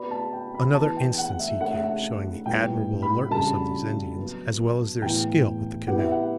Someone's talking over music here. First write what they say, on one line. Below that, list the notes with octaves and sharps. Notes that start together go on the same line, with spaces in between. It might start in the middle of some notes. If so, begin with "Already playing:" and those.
Another instance he gave, showing the admirable alertness of these Indians, as well as their skill with the canoe.
Already playing: B3 F#4 B4 D5 B5
A5
G5
B5
E3 B3 E4 B4 A5
G5
F#5
E5
A3 D4 A4 C#5 F#5
E5
F#5
A2 G3 B3 G5
B5
C#3 G3 D4 F#4 A4 A5
F#3 B3 F#4
A2 E3 B3 G5
B3 E4 G4 F#5
E5
F#5